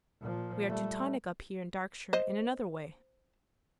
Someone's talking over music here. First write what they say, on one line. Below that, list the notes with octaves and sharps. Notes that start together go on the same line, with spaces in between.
We are Teutonic up here in Darkshire in another way.
A#2 F3
G3 A3
C5 D#5